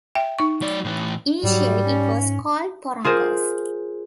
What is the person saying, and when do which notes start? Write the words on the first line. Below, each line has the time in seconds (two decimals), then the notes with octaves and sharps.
Initially it was called "Porongos".
0.15 E5 G5
0.39 D#4 C#6
0.62 F#3 D5
0.84 A2 E3
1.43 G#2 F#3 G3
1.86 C#4
3.04 F4 G#4 A#4 C5